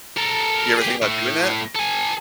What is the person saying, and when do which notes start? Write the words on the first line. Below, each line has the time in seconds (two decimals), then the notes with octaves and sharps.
You ever think about doing that?
0.17 A4 A#4
0.77 G4 G#4
1.02 A2 A3
1.76 A4 G#5